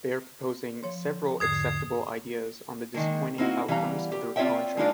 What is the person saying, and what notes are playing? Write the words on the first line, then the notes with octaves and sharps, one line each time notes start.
They are proposing several acceptable ideas on the disappointing outcomes of the contract.
F3 C#5 C6
E2 G#2 D3 D#6 G#6 C7
D#3 G#3 A#3
A#3 C4 D#4 E4 F#4
E3 G3 B3 F5 A#5
G4
C4 F4 C#5 D5 E5 G5
G#3 A#3 D4 D#4 F4 D5